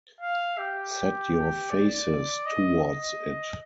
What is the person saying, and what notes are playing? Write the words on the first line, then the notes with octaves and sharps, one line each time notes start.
Set your faces towards it.
F5
G4
G4
D5
D#5
D#5